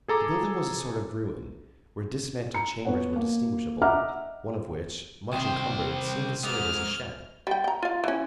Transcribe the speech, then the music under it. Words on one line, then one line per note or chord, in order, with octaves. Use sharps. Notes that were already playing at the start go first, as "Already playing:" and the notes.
The building was a sort of ruin, where dismantled chambers were distinguishable, one of which, much encumbered, seemed to serve as a shed.
G#4 A4 A#5 D6
A#5 C#7
B3 C#5 F#5
A#3
D#5 E5 F#5 A#5 D6 F6
C2 C3 D#3 C5 D#6
G#2 D#5 F6
G3 G5
G5 A#5
F4 F5
E3 C#4